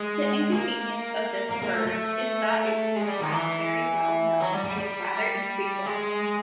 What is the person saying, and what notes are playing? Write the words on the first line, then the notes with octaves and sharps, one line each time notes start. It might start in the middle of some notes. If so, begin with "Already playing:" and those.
The inconvenience of this word is that it is not very well known and is rather infrequent.
Already playing: G#3
A#3
A#3
A#3
A3
A3
G#3
G3
D#3
E3
F#3
G3
G3
G3
G#3